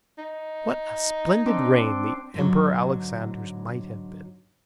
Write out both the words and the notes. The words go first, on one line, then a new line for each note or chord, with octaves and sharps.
"What a splendid reign the Emperor Alexander's might have been!"
D#4
C4 D4
G#2 D3 F#3